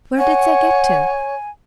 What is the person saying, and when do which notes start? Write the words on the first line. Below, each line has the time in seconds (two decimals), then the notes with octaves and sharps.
Where did they get to?
0.18 C#5 F#5 G#5